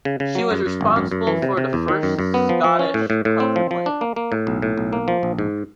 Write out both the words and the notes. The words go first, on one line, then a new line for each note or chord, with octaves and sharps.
She was responsible for the first Scottish Health Plan.
C#3
C#3
F#3
F#2
F#2
G#1
F#2
F#2
E3
C3
C3
E2
D#3
F#2
F#2
B3
F3
F3
C#4
A2
A2
A2
C4
F3
F3
D4
A#3
A#3
A2
B1
A2
B1
A#3
F3
A#1
G#2